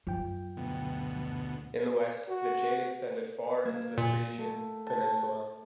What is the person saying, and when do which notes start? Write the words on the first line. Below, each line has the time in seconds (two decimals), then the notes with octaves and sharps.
In the west, the Jade extended far into the Frisian peninsula.
0.07 F#2 F3 G5
0.57 D2 B2
2.29 F#4
3.65 A#3 G#6 E7
3.98 A#2
4.38 A3
4.87 A5